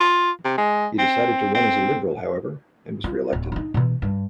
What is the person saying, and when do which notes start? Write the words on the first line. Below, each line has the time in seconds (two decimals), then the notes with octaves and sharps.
He decided to run as a Liberal, however, and was re-elected.
0.01 F4
0.45 C3
0.58 G#3
0.99 C4
1.55 C4
3.04 F4
3.33 D1
3.52 D4 D#4
3.74 B2 E3
4.02 G2